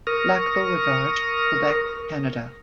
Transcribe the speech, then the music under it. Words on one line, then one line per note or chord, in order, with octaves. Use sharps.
Lac Beauregard, Quebec, Canada.
A#4 C#6 D#6 F6 A#6